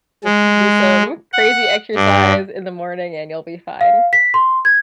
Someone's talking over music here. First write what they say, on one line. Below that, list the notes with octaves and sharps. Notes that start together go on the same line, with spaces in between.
Just do some crazy exercise in the morning, and you'll be fine.
G#3
F#5
G2
F5
B6
C6
G#6